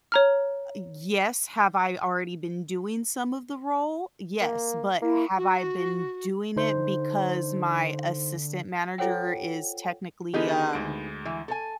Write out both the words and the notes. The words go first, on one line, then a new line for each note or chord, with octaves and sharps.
Ah yes, have I already been doing some of the role? Yes, but have I been doing it because my assistant manager is technically, um,
C#5 A#5 F6
A#3
A#3 E4
F#4
D3 D#4 C5
F4 A4 C5 C#5 F#5 G5
D3 B3 D#4 G4 G#4 A#4
D2 G#3 D7
E3
A4 A#4 G#5